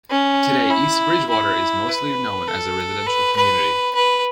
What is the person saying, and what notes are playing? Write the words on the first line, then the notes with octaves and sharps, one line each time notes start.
Today, East Bridgewater is mostly known as a residential community.
C#4
E4
E4
B4
A4
B4
B4
B4